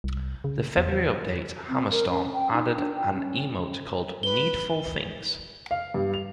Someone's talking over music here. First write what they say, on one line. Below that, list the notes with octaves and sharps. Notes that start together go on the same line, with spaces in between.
The "' February update, "Hammer Storm", added an emote called "Knee-dful Things.
C2
C#3
E2
C4
A#4
C#4
G5
D#4
D4
G5
C#4
B4 G7
F5
G2
F7